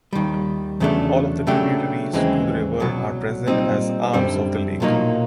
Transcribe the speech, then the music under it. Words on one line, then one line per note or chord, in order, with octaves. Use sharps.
All of the tributaries to the river are present as arms of the lake.
D#2 D#3 G3
E2 C#3 F#3 A3 D4
C#3 F#3 A3 D4 G4
D#2 C#3 E3 G#3 C4
C2 B2 F#3
A#2 G3 C4 D#4
F#2 D3 G3 C4
B1 A#2 F#3 A#3 D#4